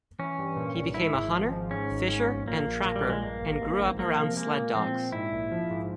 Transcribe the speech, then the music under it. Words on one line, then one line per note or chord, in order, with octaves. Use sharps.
He became a hunter, fisher, and trapper, and grew up around sled dogs.
E3 C#4
G2
A#2
C2
G#2 E4
G#1
F3
G#2
G#2 C#4
G#1
G#2 C#4
A#1
A#2 A#3
A#1
A#2
G3
A#1
G#3
G2 A#3
G#1
G#2
A#1
F3 A#3
C3
G#3 A#3
A#2
F3 C4
A#2
G#2 E4
A#1
F3
G#2